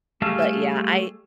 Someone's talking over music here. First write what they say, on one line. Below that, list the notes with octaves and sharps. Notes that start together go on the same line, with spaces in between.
Mm, but yeah, I
G3 A3 G#4 A4 F5